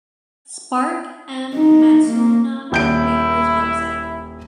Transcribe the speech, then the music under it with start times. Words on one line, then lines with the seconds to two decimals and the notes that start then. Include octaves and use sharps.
Spark M. Matsunaga Papers web site.
1.54 D#4
2.07 A#3
2.72 D#1 E4 G6 D7